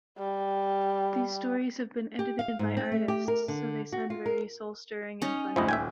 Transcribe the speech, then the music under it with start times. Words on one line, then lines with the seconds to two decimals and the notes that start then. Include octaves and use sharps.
These stories have been edited by artists, so they sound very soul-stirring and funny.
0.18 G3
2.19 G4
2.39 F5
2.59 G#2
2.77 C4
2.92 A3
3.08 G4
3.28 A#4
3.48 D3
3.93 F#4
4.10 F4
4.26 A#4
5.22 C#4 D#4
5.56 G1 D2 F3 E4 D#5
5.69 D#1 E5 G5 G#5